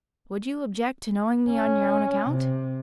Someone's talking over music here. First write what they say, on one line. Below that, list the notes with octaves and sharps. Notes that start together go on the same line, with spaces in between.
"Would you object to knowing me on your own account?"
C#4
C3